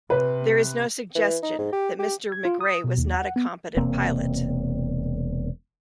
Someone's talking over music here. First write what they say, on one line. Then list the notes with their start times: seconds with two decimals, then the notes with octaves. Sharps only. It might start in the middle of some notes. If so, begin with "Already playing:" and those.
There is no suggestion that Mr McRae was not a competent pilot.
0.10 C3 B4
1.15 E3
1.43 D#4
1.59 G#2
1.73 G4
1.99 G4
2.32 G#6
2.45 F4
2.61 D#6
2.84 B2
2.98 D#2
3.14 F#5
3.36 B3
3.77 E1 C3 A#3 C4